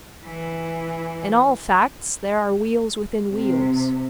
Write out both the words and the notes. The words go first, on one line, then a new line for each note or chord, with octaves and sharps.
In all facts there are wheels within wheels.
E3
C3